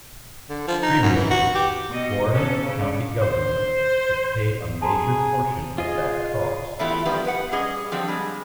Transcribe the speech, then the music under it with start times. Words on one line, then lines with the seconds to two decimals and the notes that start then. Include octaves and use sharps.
Previously, Florida county governments had paid a major portion of that cost.
0.49 D3
0.68 F3
0.82 D#4
1.02 F#2
1.16 E3
1.31 F#4
1.55 G4
1.89 B2 D#5
2.31 C#4 A4
2.64 C#3
3.21 C5
4.82 G#4 A5 A#5 C6
5.78 F4 G#4 D#5
6.79 E3 A3 B3 E4 F4 G4
7.05 B2 D#3 F3 G3 B3
7.25 G4 B4 F#5
7.52 G3 C#4 G#4 D#5
7.92 D3 F3 G3 C4 F#4
8.08 G3 G#3